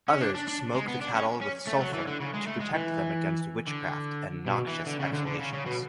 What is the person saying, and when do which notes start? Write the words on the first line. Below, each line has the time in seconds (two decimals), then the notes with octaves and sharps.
Others smoke the cattle with sulfur to protect them against witchcraft and noxious exhalations.
0.08 C#4
0.21 D4
0.35 D4
0.48 D4
0.75 G#3
0.88 B3
1.01 D4
1.15 C#4
1.41 C#4
1.67 A3
1.81 F#3
1.94 E3
2.07 D3
2.21 C#3
2.34 G#3
2.47 A3
2.61 G#3
2.74 E3
3.67 D3
4.46 B2
4.67 E3
4.87 D3
5.00 C#3
5.13 D3
5.27 D3
5.40 C#3
5.53 C#3
5.66 B2